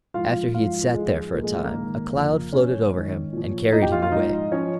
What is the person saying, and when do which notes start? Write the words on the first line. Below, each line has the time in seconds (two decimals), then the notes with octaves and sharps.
After he had sat there for a time, a cloud floated over him, and carried him away.
0.14 G#2 F3 F4 F5
0.54 G#2 F3 F4 F5
0.93 G#2 F3 G#3 G#4
1.33 A#2 F3 A#3 A#4
1.43 G#3 G#4
1.54 G#3 G#4
1.64 A#3 A#4
1.74 G#2 D#3
2.13 F2 C#3 F3
2.52 A#2 F3 C#4 C#5
2.93 G#2 D#3
3.32 A#2 F3
3.72 A#2 F3 D#4 D#5
3.82 G4 G5
3.92 F4 F5
4.02 F4 F5
4.12 G#2 F3 D#4 D#5
4.51 F3 C#4 C#5